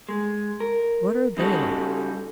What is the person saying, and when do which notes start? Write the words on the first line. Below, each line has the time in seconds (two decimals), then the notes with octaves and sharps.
"What are they?"
0.09 G#3
0.60 A#4
1.37 C#3 G3 D#4 E4 F#4 A4